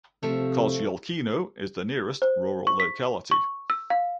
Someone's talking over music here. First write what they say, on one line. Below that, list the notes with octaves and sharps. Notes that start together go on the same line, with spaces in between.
Kozyolkino is the nearest rural locality.
C3 F3 A3
C5
C#6
B6
C#6
E6
F5